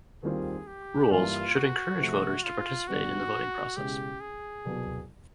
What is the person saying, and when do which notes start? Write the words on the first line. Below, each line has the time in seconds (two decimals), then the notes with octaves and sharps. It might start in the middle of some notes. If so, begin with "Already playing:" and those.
Rules should encourage voters to participate in the voting process.
0.23 D#2 D#3 G3 C4 F4 G#4
0.67 G4
1.11 G2 E3 G3 A#3 F4
1.56 F#4
2.00 C3 F3 A3
2.44 F4
2.88 G2 D3 G3 B3 F#4
3.77 C#2 B2 G#3 C#4 E4 G4
4.21 G#4
4.65 C2 B2 F#3 B3